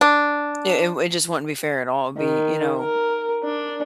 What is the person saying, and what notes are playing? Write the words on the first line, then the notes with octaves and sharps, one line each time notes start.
It it w it just wouldn't be fair at all. It'd be, you know,
D4
D#3
A#4
D4